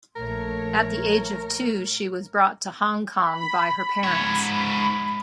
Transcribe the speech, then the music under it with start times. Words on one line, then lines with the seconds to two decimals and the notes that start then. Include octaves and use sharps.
At the age of two, she was brought to Hong Kong by her parents.
0.16 A#1 A3 A#4 C#5
3.25 B5
4.04 G#2 C#5